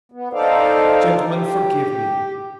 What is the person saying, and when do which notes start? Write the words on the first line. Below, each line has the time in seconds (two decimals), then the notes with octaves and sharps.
Gentlemen, forgive me!
0.12 B3
0.33 D#4 A4 C5 D5 F5
1.30 G4